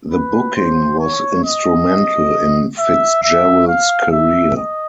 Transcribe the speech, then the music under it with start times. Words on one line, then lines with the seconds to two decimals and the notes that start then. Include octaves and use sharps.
The booking was instrumental in Fitzgerald's career.
0.12 B4
0.56 C5
1.00 C#5
1.44 D#5
2.78 E5
3.23 E5
3.67 F5
4.12 E5
4.57 D#5